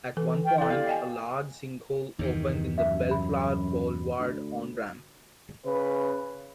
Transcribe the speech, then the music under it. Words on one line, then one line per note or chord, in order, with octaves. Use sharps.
At one point a large sinkhole opened in the Bellflower Boulevard on-ramp.
E3 A4
G5
E4 A4 D5
B3 G4 F5
D#5 G5 G#5
E2 G2 C3 D#3
F#2 E5
B5
D2
C#3 B4